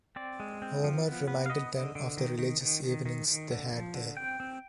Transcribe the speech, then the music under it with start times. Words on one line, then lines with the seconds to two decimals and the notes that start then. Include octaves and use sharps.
Omer reminded them of the religious evenings they had there.
0.16 C4 D5
0.40 G#3
0.62 C4
0.84 F3
1.06 B3
1.28 B3
1.46 F5
1.50 B3 D#5
1.72 D3
1.95 D3
2.17 D#3
2.39 D#3
2.61 D#3
2.84 D#3
3.06 D#3
3.28 D#3
3.51 D3
3.72 F3
3.95 D3
4.17 C4 G5
4.40 C4